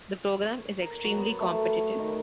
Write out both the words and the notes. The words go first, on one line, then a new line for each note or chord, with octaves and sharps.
The program is extremely competitive.
C#5
A#4
F#3
B3
A3
D#3